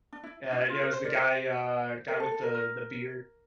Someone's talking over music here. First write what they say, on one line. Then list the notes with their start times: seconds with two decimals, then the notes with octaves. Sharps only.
Uh, yeah, it was the guy, uh, guy with the the beard.
0.13 D4
0.23 E4
0.52 D4
0.58 E4
0.69 F4
0.82 A#4
0.93 C5
1.04 A#4 D5
1.16 C5
2.08 A#4
2.20 A4
2.31 A4
2.43 A#4
2.54 A#4